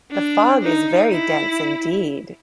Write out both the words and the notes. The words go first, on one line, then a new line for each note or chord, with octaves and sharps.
The fog is very dense indeed!
D4
D#4
E4